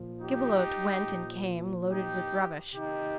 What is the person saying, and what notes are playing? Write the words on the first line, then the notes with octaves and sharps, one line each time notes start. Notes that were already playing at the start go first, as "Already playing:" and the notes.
Gibelotte went and came loaded with rubbish.
Already playing: A#2 F3
D#4 G4
A#2 F3
D#4 G4
C3 D#3 D#4 G4